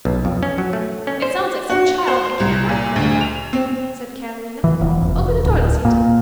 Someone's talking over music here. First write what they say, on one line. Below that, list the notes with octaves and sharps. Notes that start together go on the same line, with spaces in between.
"It sounds like some child that can't knock very well," said Catalina. "Open the door, Lisita!"
B1
F2
C#4
F#3
A3
C#4
C5
F#4
C5
C2
A#2
D2
F7
C4
E3
D#1
F1
D1
A#2